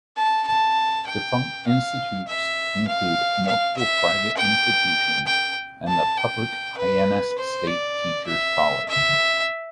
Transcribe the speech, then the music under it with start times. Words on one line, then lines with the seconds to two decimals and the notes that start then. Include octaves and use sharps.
Defunct institutes include multiple private institutions, and the public Hyannis State Teachers College.
0.17 A5
0.47 A5
1.07 G5
1.67 F5
2.28 E5
2.88 F5
3.47 F5
3.77 E5
4.37 G5
5.27 G5
5.88 A5
6.17 G5
6.77 B4
7.38 C5
7.67 D5
8.27 E5
8.88 E5